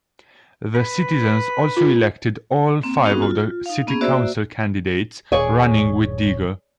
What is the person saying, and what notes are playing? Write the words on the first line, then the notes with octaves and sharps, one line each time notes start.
The citizens also elected all five of the city council candidates running with Deger.
B4
F4
A#3 C4
B3 C#4 D#4 F#4 G#4 A#4
F4
D#4 F5
A#3 B3 C#4 G#4
A#3 F#4 C5 D5 E5 E6
D#1 G#4 C#5 D5 C#6